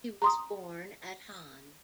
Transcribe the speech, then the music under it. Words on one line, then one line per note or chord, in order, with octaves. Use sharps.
He was born at Hann.
A#5 C6 D#6